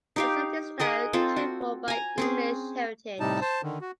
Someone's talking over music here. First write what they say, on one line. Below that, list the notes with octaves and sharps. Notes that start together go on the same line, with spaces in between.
The site is now cared for by English Heritage.
D#4 G4 F5
G#4 A#4 D#5 F#5
C4 F4 A4
F#4
G#5 A#5
C4 C#4 G#4
A2 C3 G3 D#4 A5
C5 A5
D3 D#3
F#4